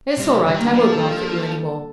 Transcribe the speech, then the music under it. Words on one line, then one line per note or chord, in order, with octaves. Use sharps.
It's all right; I won't laugh at you any more.
C3 G3
G3
D3 G3
D#3
D3 A#3
F3 D4
A4
A4
A4